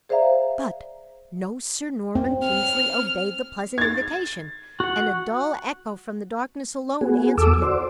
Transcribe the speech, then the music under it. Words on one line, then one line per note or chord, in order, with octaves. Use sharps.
But no Sir Norman Kingsley obeyed the pleasant invitation, and a dull echo from the darkness alone answered him.
G#4 C5 D5 E5 F5 A#5
C4
F6
G#6 A6
F#4 F#5
B3 F#4 G#4
E2 A4 D6 E6
F#4 C5 D5